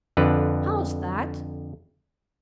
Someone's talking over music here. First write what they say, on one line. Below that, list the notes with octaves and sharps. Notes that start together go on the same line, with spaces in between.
"How's that?"
F2 D3 B4